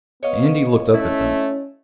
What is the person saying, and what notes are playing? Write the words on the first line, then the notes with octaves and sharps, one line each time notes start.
Andy looked up at them.
B3 C#5 D#5 F5
A3 C#4 E4